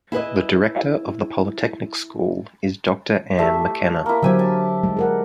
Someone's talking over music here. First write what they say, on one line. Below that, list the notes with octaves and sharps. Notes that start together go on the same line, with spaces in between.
The director of the Polytechnic School is Doctor Ann McKenna.
E4 G#4 B4 D#5
A3 E4 G4 E5
A#3 E4
D3 F#3 G4 C5 G#5 E6
A5
G3 G#3
G#4 A#4 F#5